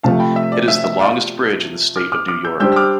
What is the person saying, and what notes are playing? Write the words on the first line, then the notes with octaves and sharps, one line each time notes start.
It is the longest bridge in the State of New York.
C3 F3 A3 F5 A5
G5 B5
E5
D5
E5
E5
D5 F5
D6 F6
D6 F6
D6 F6
E6 G6
G3 D4 G4 C5 E6 G6
E6
D6 F6